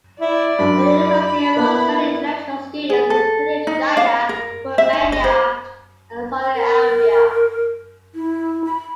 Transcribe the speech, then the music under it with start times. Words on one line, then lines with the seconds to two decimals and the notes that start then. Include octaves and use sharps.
The university enrolls many international students, including China, Romania, and Saudi Arabia.
0.21 E4 D5
0.59 F#2 D4 B5
1.56 A#3 B3 E4
2.90 G#4
3.10 A4
3.67 D#4
3.97 F5
4.29 A#4
4.78 E5
4.93 D#4
5.12 D#5
5.24 C5
6.55 A#4
8.15 E4
8.65 B5